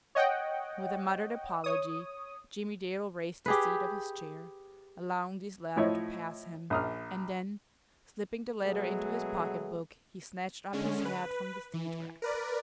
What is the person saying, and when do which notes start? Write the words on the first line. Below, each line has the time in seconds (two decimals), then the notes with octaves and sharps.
With a muttered apology, Jimmie Dale raised the seat of his chair, allowing these latter to pass him--and then, slipping the letter into his pocketbook, he snatched up his hat from the seat rack.
0.15 C#5 D#5 F#5 G5
1.64 C#5 D#6
3.46 G4 G#4 B4
5.76 A2 F3 E4 C#5 D#5
6.70 A#1 D#6 F6
8.63 B2 F#3 G#3 A3 B3 G#4
10.73 D3 G#3 C#4
11.05 B4
11.74 E3
12.22 A#4 B4 D5